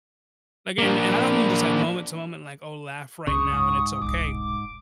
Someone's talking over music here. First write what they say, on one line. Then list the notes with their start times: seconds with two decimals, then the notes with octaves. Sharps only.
again, and I don't mean just like moment to moment, like, oh, laugh right now and it's okay.
0.78 A#3 D4
3.27 C#2 F#2 C#3 C#6 D#6
3.53 G#2
4.02 E1 C2 D6